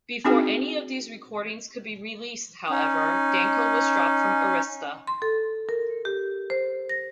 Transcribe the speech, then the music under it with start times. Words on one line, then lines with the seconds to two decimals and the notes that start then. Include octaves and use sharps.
Before any of these recordings could be released, however, Danko was dropped from Arista.
0.25 C4 D4 D#4 F#4 G#4 G5
2.70 C#4 D#4
5.07 C6
5.22 A4
5.69 A#4
6.05 G4
6.50 C5
6.89 A#6